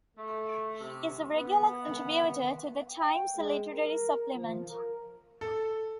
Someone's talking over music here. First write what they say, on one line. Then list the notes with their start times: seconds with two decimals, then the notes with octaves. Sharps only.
He is a regular contributor to the "Times Literary Supplement".
0.17 A3
0.81 C3
1.36 B3
2.91 G5
3.36 G#3
3.70 A#4
4.33 F3
4.67 A#4
5.41 A4